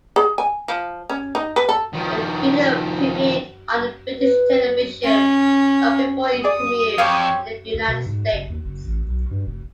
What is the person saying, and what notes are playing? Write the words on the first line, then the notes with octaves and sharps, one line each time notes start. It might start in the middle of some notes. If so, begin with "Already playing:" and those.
The video premiered on British television long before it premiered in the United States.
G#4
G#5
F3
C#4
D#4
B4
A4
D#3 F3
B4
C#4
G#4 D5 D#6
F2 C4 G4 C#5 F5
D2
B2
G#2
F#1
D#2
F#1
A1
B1
G2
F1